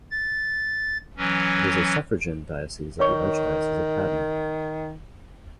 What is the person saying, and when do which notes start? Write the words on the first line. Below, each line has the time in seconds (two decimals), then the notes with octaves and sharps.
It is a suffragan diocese of the Archdiocese of Patna.
0.11 A6
1.17 E3 F#3 C#4
2.99 D#3 B4 C#5 C#6